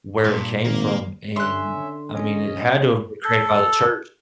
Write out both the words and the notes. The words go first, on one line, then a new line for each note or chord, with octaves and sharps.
where it came from. And, I mean, it had to have been created by the church.
G2 A#2
G#1 A#3
D3 C#4 E5 C6 F#6
C#4 D#5
A4